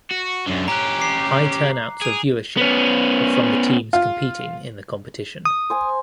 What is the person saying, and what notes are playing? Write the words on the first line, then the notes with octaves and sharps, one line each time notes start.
High turnouts of viewership were from the teams competing in the competition.
F#4
F#2 D3
C#4 G4 A#5 F#6
A#5 D6 C7
G#4 D7 F7
B3 C#4
F4
D#6
C5 G#5